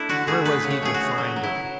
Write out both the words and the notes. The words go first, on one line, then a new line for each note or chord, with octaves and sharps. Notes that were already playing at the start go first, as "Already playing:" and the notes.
Where was he to find it?
Already playing: A3 D4 E4
D3 F#4
A3 G#4
A3 B4
C#3
C#5
A3 G#4
F#4
A3
F#3
F#3
E4
F#3